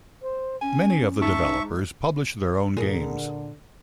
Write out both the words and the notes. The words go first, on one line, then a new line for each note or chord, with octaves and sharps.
Many of the developers publish their own games.
C5
C#4 G#5
G#2 E5 A5 C#6
A#2 D3 G#4 A#4